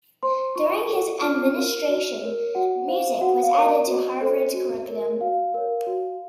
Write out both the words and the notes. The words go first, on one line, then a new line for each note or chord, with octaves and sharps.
During his administration, music was added to Harvard's curriculum.
C5 C6
F4 C#6
A4 C#5
F4 F6
A#4 C#5
F#4
A#4 C#5
F#4 F#5
C5 F5
F#4 F#5
F5
A#4 C#5
D#5
F#4
A4 C5
F#4
A#4 C#5
F#4 F5
A#4 C#5
F#4